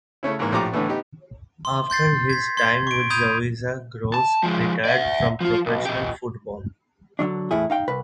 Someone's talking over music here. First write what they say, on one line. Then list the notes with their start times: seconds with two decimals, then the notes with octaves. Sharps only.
After his time with Zawisza Gross retired from professional football.
0.23 C#3 A3 C#4 E4
0.39 A1 G#2 E3 A#3
0.52 A#1 A2 F3 G4 A#5 D6
0.72 A2 D3 E3 A3 B3
0.88 B3 D#4 G4
1.65 C6
1.90 C6 G6 A6 C7
2.30 G#6 B6
2.57 C6 G#6
2.87 C#6 D7
3.10 B5 D#6 G6 G#6 D#7 F7
4.14 A5
4.43 F3 G#3
4.85 D5 E5
5.41 F3 F4
5.66 B1
5.85 A#2 G4
7.19 D3 E3 F#3 D4
7.51 E2 A2 E4 G#4
7.70 D#4 F5 G5
7.88 C2 B4